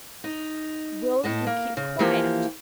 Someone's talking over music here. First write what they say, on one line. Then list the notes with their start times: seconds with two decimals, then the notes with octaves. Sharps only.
"Will you keep quiet?"
0.24 D#4
1.24 A2 D#5 A5
1.47 A#3
1.77 C#3
1.99 E3 F3 A#3 G4